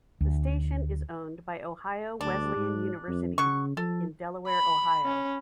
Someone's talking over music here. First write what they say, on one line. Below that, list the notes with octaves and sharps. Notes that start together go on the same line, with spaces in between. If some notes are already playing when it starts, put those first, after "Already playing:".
The station is owned by Ohio Wesleyan University in Delaware, Ohio.
D2
D2 D4
G#2
F2
C#3 F#3 C#6
F3 A4
B5
C#4